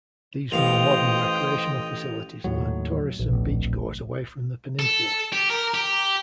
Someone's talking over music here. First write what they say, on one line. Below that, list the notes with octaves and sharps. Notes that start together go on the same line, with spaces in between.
These more modern recreational facilities lured tourists and beachgoers away from the peninsula.
A1 C5 D#5 F5 G5 F7
D#2 A2 F#3
A#1
D1
A4
G4
A#4
G4